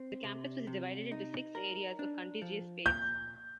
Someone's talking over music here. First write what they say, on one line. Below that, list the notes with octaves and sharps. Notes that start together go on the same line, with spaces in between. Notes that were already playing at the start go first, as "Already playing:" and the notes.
The campus was divided into six areas of contiguous space.
Already playing: C4
C3
C3
D#4
A#4
D4
F3
A#2 G6